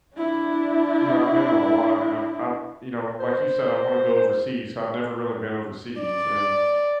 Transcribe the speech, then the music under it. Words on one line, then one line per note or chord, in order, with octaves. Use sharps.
you know, I've been on a lot, and I've I've you know, like you said, I wanna go overseas. I've never really been overseas, and
D4 E4
C5
D5